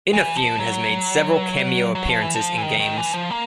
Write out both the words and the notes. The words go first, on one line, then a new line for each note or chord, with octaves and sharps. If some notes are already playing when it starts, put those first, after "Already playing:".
Inafune has made several cameo appearances in games.
E3
F3
F#3
F#3
F3
E3
F3
E3
D#3
D#3
E3
F3
A#3